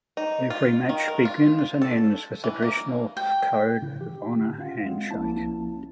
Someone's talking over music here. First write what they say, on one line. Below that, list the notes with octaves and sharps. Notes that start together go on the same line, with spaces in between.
Every match begins and ends with the traditional Code of Honor handshake.
D#4
F4
D#3
A#4
F4
F4
A4
E3
A#3
G5
A2 C#3 E3
G4
A2 D3
C#4 F4 F5 F#5
G#3 C4
C2 F3 A#3 C#4 E4 A5